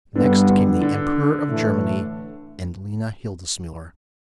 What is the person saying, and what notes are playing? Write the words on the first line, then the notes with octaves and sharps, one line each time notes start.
Next came the Emperor of Germany and Lena Hildesmuller.
G2 D3 G3 B3
D3
D3
A2 E3 A3